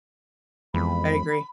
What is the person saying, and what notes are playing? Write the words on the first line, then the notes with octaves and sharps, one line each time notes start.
I agree.
F2 E3 G#3 B3 B5